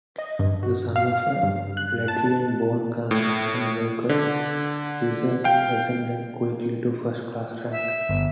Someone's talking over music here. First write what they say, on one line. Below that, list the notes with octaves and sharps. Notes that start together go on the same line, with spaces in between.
The son of a Latvian-born construction worker, Zesers ascended quickly to first-class ranks.
D#5
G2
F#4
F5
G2
F#6
A5
A2
D3
F5 G5
E5
G1